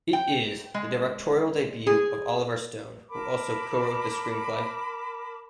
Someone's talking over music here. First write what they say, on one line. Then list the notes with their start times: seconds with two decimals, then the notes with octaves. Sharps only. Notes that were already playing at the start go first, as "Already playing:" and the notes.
It is the directorial debut of Oliver Stone, who also co-wrote the screenplay.
0.13 G5
0.74 G#3
1.87 G#4
3.11 A#4 A5 B5 D6